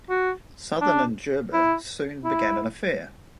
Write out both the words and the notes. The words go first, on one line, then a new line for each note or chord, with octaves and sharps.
Southern and Gerber soon began an affair.
F#4
D4
E4
E4